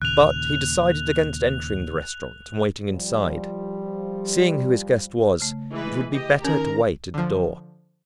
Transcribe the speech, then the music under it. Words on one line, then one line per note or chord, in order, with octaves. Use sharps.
But he decided against entering the restaurant and waiting inside; seeing who his guest was, it would be better to wait at the door.
D#2 A#2 C#3 F#6 F7
F3 G3
C#3 A3
E3 G#3 B4
G4 D#5
D#3 C#4 D#4 A#4 A#5
D3 F3